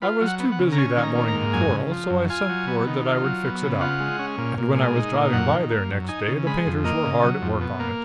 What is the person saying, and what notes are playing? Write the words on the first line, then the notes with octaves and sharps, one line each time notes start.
I was too busy that morning to quarrel, so I sent word that I would fix it up; and when I was driving by there next day the painters were hard at work on it.
F4 B4
F#3
F#5
B3
F#5
C#3
A#5
C#4 G#5
D#3 G#5
A#5
A#3
A#5
G#2
F#2 G#5
C#3
F3
F#2
F4 G#5
F#3
B3
D#3
F4
F#3
B3
C#3
F4 F#5
G#3
C#4
A#2
A#2
G#3
D#4
A#2
F#2 F#5
D#3
A#3
F#2
D#4 G#5
C#3
G#3 B5
F2
A#3 D#5
C#3
F#3
F2
B2
A#3